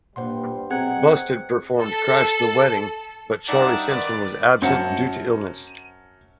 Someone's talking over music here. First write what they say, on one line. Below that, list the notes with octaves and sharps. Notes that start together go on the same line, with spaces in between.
Busted performed "Crashed the Wedding" but Charlie Simpson was absent due to illness.
G2 A#2 G3 C5 F#5 C6
B2 F#3 C4 G#4 F#5 G5 G#6
A4
G2 D#4 D5 E5 F#5 A5
D#3 B4 D5
F#2 C5 F#5 A5